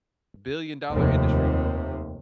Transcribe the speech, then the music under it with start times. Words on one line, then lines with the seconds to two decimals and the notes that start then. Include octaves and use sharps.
Billion dollar industry.
0.90 F1 D#2 C3